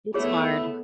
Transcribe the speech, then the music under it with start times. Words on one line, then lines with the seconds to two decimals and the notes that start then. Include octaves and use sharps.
it's hard.
0.14 A3 B3 E4 G#4 C#5